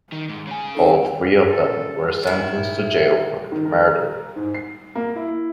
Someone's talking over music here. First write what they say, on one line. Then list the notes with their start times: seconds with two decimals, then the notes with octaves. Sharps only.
All three of them were sentenced to jail for the murder.
0.12 D#3
0.29 G#2
0.47 C#3 G#5
0.75 C4 D#4 A4
1.50 A#3 C#4 F4 A4
2.23 D#3 E4
3.52 D#3
3.66 A#4
4.36 G#2
4.54 C7
4.95 A#3
5.16 E4